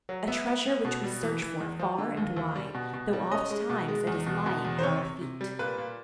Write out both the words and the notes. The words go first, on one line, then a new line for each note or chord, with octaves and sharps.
A treasure which we search for far and wide, though oft-times it is lying at our feet.
F#3
B3 E5
B3
B3
B2
G3
E3
E3
E2
F3
D3
D#2
D#2
G3
B2
B2
G3
C#4 D#5
G#3
B2
G#3
E2
B2
B2
E2
C5
C3 C#5
C3
C3
G3
A#2 B4
A#2